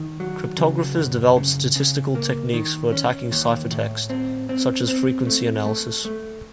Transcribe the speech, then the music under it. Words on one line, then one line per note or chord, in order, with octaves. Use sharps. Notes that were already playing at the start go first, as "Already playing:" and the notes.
Cryptographers developed statistical techniques for attacking ciphertext, such as frequency analysis.
Already playing: D#3
F#3
C#3
F#2
C#3
C#3
A#3
D#3
C#4
D#2
A2
C4
C4
C4
A3
A3
A3